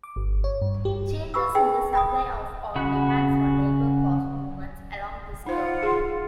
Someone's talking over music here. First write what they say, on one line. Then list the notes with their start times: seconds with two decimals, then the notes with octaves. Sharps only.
Changes in the supply of or demand for labor cause movements along this curve.
0.03 D6
0.16 G1
0.44 C#5
0.62 G2
0.85 G4
1.34 G4 B4 B5 C#6 E6
1.55 D#4 G#4 G5 C6 E6
1.93 G5 B5 D#6
2.75 C#3 F#4 F#5 B5
5.46 D#4 F4 C5 F#5
5.83 G#4